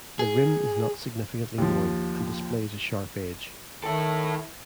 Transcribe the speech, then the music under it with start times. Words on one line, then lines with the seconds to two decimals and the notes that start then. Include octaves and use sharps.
The rim is not significantly worn, and displays a sharp edge.
0.19 G#4
1.58 D#2 F3
3.84 D#3 E4 A4